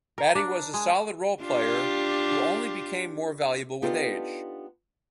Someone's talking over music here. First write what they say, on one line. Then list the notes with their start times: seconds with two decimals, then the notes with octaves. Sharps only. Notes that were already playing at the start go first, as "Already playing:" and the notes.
Battie was a solid role player who only became more valuable with age.
0.18 A#4
0.35 D4
0.74 G#3
1.43 D4 F4 G4
3.82 B3 D4 D#4 F4 G4 A4